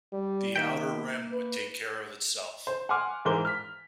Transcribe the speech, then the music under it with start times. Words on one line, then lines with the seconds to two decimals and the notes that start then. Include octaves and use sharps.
The outer rim would take care of itself.
0.13 G3
0.56 D#3 A#3 E5 G5
1.32 B4
2.67 C5
2.89 F#5 G#5 C6 D6 F6
3.25 G#2 E3 A#4 C5 D6 G7
3.45 F6 B6